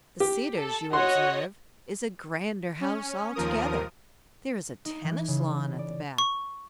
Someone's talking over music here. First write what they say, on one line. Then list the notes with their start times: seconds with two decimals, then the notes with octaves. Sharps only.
The Cedars you observe is a grander house altogether; there is a tennis lawn at the back.
0.20 G4
0.57 A4
0.93 F#4 C#5 D#5 F#5 C6
2.81 C#4
3.35 D#2 F3 A#4 D#6
4.85 D#4
5.04 E3
5.28 C#3
5.79 D5
6.18 C#6